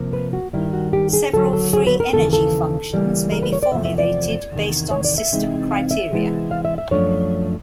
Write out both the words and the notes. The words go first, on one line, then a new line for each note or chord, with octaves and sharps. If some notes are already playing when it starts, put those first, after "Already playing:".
Several free energy functions may be formulated based on system criteria.
Already playing: C3 F3 A#3
B4
F#4
G2 D#3 G3 E4
F#4
G4
G#4
D#2 D3 F#3 A4
A4
G#4
B4
A#4
D#2 C#3 E3 A4
A4
C#3 E3 G3 A#3
A#4
B4
C#5
D5
E2 C3 F3 A3 E5
E5
D5
E2 C3 D#3
C#5
D5
E5
C3 E3 G#3 C4 D#4
F5
E5
C3 E3 G#3 B3 E4
F5
E5
E5
F#2 D3 F3 A3 D4 C#5